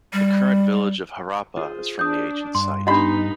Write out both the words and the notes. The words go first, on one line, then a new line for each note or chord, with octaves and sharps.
The current village of Harappa is from the ancient site.
G3
F4 G#4 C5
D4 D#6 G6
G2 C6
B3 D4 D#4 G4 D#5 B5 C6